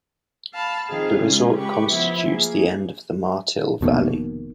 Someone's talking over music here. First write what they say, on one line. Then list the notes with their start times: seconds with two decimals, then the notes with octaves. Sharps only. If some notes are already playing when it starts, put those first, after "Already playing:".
The resort constitutes the end of the Martil Valley.
0.53 F5 A5 B5
0.87 D#3 C4 F4 G#4 F5
1.20 C#3 G#3 C#4 F4
1.56 G#3 G4 B4 C#6
1.89 F3 B3 E4 F4
2.26 A#3 G#4
3.81 F1 B2 D#3 A#3